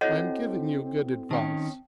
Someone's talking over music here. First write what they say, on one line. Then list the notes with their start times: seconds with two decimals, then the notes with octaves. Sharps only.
I am giving you good advice.
0.01 C4 E4 F#4 A4 C#5 D#5 F#5
1.31 D#3 C#4 G5 A5